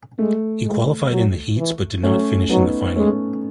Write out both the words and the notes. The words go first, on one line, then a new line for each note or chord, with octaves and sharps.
He qualified in the heats but did not finish in the final.
G#3 A3
G#3
F#3
E3
F#3 A3 C#4
F#3 B3 D#4
G#3 A3 C#4